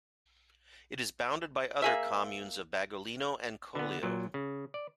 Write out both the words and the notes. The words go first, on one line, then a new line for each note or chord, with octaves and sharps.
It is bounded by other communes of Bagolino and Collio.
A#3 G#4 E5
D3 B3
A#2 F#3
C#3
D5